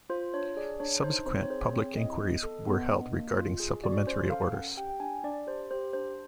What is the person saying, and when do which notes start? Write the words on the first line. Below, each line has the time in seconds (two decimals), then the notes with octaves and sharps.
Subsequent public inquiries were held regarding Supplementary Orders.
0.10 F4 C5
0.34 D4 C#5
0.57 G#4 D5
0.80 D4 C#5
1.03 D#4 C5
1.27 C4 C5
1.42 C#5
1.50 G#4 C5
1.73 C4 C#5
1.97 E4 D#5
2.21 B3
2.43 A4
2.67 B3
2.90 D4
3.13 A#3
3.36 F4
3.60 G#4
3.84 F#4 D5
4.07 C#4 C5
4.30 A4 F5
4.54 C#4 F#5
4.77 G4 G5
4.90 G5
5.00 D4 G#5
5.24 D4 D5
5.46 G4 C5
5.71 G4 C5
5.93 D4 C5